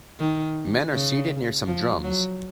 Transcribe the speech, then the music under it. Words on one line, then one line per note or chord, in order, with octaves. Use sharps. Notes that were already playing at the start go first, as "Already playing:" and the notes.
Men are seated near some drums.
D#3
C#3
F3
F#3